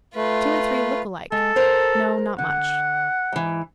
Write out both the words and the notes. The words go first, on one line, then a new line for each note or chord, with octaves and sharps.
Two and three look alike--no, not much.
A3 F4 B4
G#3 A4
A#4 C5
D3 F#5
G#2 E3